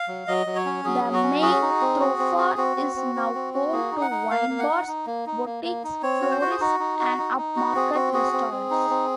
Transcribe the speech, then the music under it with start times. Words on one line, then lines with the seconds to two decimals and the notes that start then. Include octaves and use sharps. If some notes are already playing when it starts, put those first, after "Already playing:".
The main thoroughfare is now home to wine bars, boutiques, florists and upmarket restaurants.
Already playing: F5
0.08 F#3
0.27 F#3 D#5
0.46 F#3
0.56 C#5
0.65 C#4
0.85 F#3 G#4
1.04 F#3
1.13 F#4
1.23 C#4
1.42 F#4 G#4
1.62 D#4
1.81 C4
2.00 F#4
2.19 C4
2.38 F#4
2.57 C4 F#4
2.77 C4
2.96 C4
3.15 C4
3.34 C4
3.54 F#4
3.72 A#3 G#4
3.91 D#4
4.01 F#5
4.11 D#4
4.30 A#3 F5
4.49 A#3
4.59 F#5
4.68 D#4
4.87 D#4
5.07 A#3
5.26 D#4
5.45 A#3
5.64 A#3
5.84 D#4
6.02 C4 C#5
6.22 F#4
6.31 C5
6.41 F#4
6.51 G#4
6.60 D#4 F#4
6.80 D#4
6.99 F#4
7.18 D#4
7.37 D#4
7.56 F#4
7.75 C4 G#4
7.94 C4 F#4
8.13 F#4 G#4
8.33 C4
8.52 C4
8.71 D#4
8.90 C4